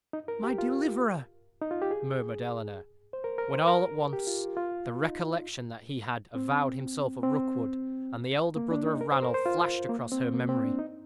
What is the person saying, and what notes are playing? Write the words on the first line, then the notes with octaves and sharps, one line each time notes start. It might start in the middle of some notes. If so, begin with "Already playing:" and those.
"My deliverer!" murmured Eleanor; when all at once the recollection that he had avowed himself a Rookwood, and the elder brother of Ranulph, flashed across her memory.
D#4
A#4
G4
F4
D#4
F4
G4
G#4
C5
A#4
A#4
C5
A#4
G4
F4
F4
D#4
C4
C4
A#3
D4
D#4
A#4
C5
A#4
C5
F4
A#3
C4
A#3
C4
D4
D#4